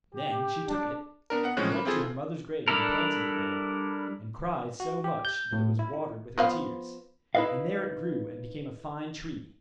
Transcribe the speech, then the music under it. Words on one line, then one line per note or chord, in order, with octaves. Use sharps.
Then she took it, and went to her mother's grave and planted it there; and cried so much that it was watered with her tears; and there it grew and became a fine tree.
G4
D4
B3 D4 A#4
B3 F#5
A2 E3 F3 G#3 C#4 F#6
A#3 B5
C4 E4 F4 G#4 A4
G3 D4 E4 A4 A#4
F#4
G4
G6
A2
E4
E4
F3 B3 F5
D#4 E4 G#4 B4 D#5 F5